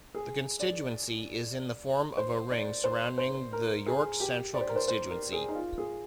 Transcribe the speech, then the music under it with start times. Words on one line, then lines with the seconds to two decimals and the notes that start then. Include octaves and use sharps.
The constituency is in the form of a ring surrounding the York Central constituency.
0.15 G#4
0.60 D5
2.17 C5
2.51 D5
2.84 C5
3.18 C5
3.53 A#4
3.86 G#4
4.20 G4
4.54 D5
4.61 C5
4.69 A#4
4.76 C5
4.88 C5
5.10 A#4
5.32 G#4
5.48 D#4
5.55 F4
5.78 G#4